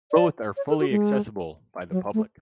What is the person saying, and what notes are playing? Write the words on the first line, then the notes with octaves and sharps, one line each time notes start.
Both are fully accessible by the public.
D5
C#5
A4
F#4
G#3
F#3
A3